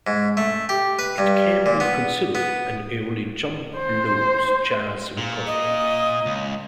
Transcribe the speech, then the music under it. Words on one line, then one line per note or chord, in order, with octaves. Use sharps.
It can be considered an early jump blues jazz recording.
G#2
A3
G4
B4
G2
A#2
B3
B3
C5
A#2
D#5
C#2